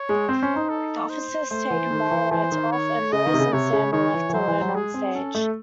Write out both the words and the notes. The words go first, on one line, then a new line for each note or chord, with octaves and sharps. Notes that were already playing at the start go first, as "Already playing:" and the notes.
The officers take Maurrant off, and Rose and Sam are left alone onstage.
Already playing: C#5
G#3
C4 C5
C#4
D#4
A4
C5
A3 C5
E3
D#3
E3
E3 C5
D#3
C#5
C#3 D#5
D#3
C3
C#3
C3 C#5
C#3
D#3 C#5
E3
E3
F#3 C5
E3
F#3
G#3 G#4
C4
C#4 A4
A3